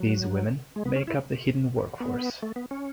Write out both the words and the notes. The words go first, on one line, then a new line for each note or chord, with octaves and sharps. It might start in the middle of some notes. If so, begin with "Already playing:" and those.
These women make up the hidden work force.
Already playing: F#3
G#3
B3
C#4
E4
B3
A3
B3
C#4